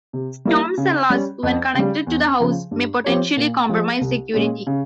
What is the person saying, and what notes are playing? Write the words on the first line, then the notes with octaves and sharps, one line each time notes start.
Storm cellars, when connected to the house, may potentially compromise security.
C3
G3 A#3 E4
C#3
G3 C#4
F2
C#3 G3
E2
C#3 F3
G2
F3 C4 G4 C#5
A#2
F3 G#3
C2
A#2 G#3 C#4
C#3